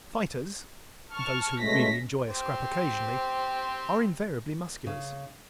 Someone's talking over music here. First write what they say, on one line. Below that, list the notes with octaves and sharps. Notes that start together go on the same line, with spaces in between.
Fighters--those who really enjoy a scrap occasionally--are invariably Musculars.
A5 C#6 F6
B2 G#3 A3 C#4 A#6 B6
C4 G4 C5
C#3